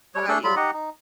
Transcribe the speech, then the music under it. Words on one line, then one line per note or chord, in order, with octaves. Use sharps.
How 'bout you?
G3 C#5
A3 D4 G#4 A4
F#3 G3 F4 B5
D#4 G4 D#5 F#5
D#4